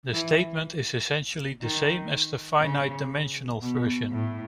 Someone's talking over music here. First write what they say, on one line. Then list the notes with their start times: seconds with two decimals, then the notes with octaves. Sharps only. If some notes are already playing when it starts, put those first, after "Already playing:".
The statement is essentially the same as the finite-dimensional version.
0.13 E3
1.62 D#3
2.61 C#3
3.61 B2
4.11 A2